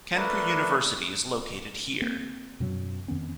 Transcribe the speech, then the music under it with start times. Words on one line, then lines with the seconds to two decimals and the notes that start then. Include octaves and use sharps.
Kanpur University is located here.
0.16 A3 D4 A#4 B4
2.02 A#3 C4
2.60 F#2 B2 F#3
3.08 F2 D#3 B3 C#4